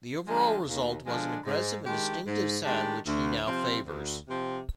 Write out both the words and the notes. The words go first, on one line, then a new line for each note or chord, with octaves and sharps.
The overall result was an "aggressive and distinctive" sound which he now favors.
D3 F3 G#3 D4
D#2
D3 F3 G#3 D4
G#2
D#3 G#3 D4 G4
G#2
D#3 G#3 D4 G4
D2
C3 F3 C4
D2
C3 F3 C4